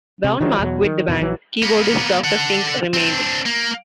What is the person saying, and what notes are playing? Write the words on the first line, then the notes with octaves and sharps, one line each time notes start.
Brown Mark quit the band; keyboardist Doctor Fink remained.
C3
D#3 F3 F#3 G#3
E2 B2 F#3
D#3
E2 B2 D#3 E3
A#1 E3 F#3
A#3 B3
A4 F#5
C4 D4
A#3